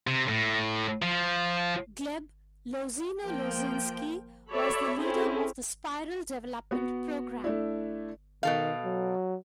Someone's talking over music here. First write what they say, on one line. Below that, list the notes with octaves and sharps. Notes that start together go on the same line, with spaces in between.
Gleb Lozino-Lozinskiy was the leader of the Spiral development programme.
C3
A2
F3
F3 A#3 G5
F#4 A4 C#5 D5 E5 B5
C4 C#4 E4 G#4 A4
B3 F#4
A3 D4 E4
B2 D#3 A4 F5
F#3